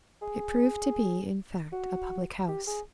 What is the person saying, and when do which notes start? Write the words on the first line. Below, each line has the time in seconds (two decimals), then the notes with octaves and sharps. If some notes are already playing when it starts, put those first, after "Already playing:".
It proved to be, in fact, a public house.
0.22 G#4
1.73 F#4
2.48 G4
2.67 G#4